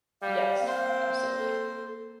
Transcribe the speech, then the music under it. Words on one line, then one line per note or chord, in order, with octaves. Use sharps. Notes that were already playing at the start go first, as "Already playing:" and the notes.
Yes, absolutely.
G3 F5
A#3 C4 C5
A4